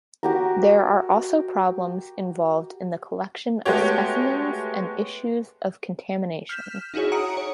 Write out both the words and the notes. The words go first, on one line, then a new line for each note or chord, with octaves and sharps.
There are also problems involved in the collection of specimens and issues of contamination.
F#4 G4 A#4
G#3 A3 B3 F#4 G4 C#5
F6 G6 B6 E7
D#4 E4 F#4 G#4 C#5
F#5 A#5 D#6 C#7 D7
C#5